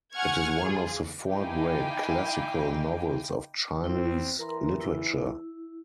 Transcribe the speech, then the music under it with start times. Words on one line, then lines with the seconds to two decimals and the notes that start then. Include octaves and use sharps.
It is one of the Four Great Classical Novels of Chinese literature.
0.13 F#5 G#5 C#6 F6 G#6
0.64 F4 G#4
1.31 D#4 E4 F5 G5 G#5 D6
3.84 C4 E4
4.39 E3 A#4 A#5 C6
4.81 E4